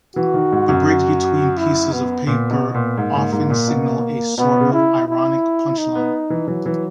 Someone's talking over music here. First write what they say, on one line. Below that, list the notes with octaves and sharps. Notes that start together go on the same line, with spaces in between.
The breaks between pieces of paper often signal a sort of ironic "punchline".
E3 F#4
D#3
G#2
F#2
E4
B3
A#2 B3
B2
A#2
G#2 A#3
G#2
G#2
A#2
B2
B2 B3
C#3
E4
E4
D#4
B3
E3
E3 F#3
E3